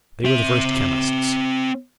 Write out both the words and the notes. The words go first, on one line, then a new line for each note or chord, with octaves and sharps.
They were the first chemists.
C4 E5